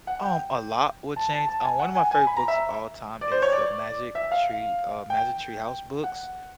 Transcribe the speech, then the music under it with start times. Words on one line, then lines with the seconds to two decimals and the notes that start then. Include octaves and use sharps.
Um, a lot would change, um, one of my favorite books of all time is the Magic Tree, uh, Magic Tree House books,
0.07 F#5
0.23 G5
1.16 A5
1.33 A5
1.49 A5
1.64 G#5
1.79 F#5
1.95 G#5
2.11 G#5
2.27 B5
2.37 A#5
2.48 E5
3.21 D5
3.31 C5
3.42 C#5
3.52 D5
4.15 E5
4.32 F5
5.10 G5
6.04 F#5